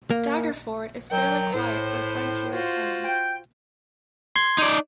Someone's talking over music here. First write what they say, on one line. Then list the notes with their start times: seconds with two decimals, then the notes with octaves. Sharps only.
Daggerford is fairly quiet for a frontier town.
0.10 A#3
1.11 D#3 F#3 G5
1.54 A2 C5
2.52 F4 F#4 C5
3.04 G5
4.36 C6 G#6
4.58 D#4 D5